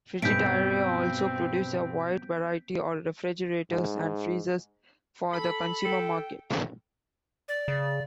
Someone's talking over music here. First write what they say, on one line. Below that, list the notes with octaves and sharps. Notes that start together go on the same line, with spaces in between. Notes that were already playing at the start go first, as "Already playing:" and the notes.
Frigidaire also produces a wide variety of refrigerators and freezers for the consumer market.
B1 G2 B2 C4 G6 B6 D7
G#2
A4 B5
A4 G5
D5
C#3